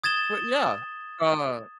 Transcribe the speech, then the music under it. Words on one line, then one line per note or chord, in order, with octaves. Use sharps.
But yeah, uh
D#6 G#6 A6 E7 G7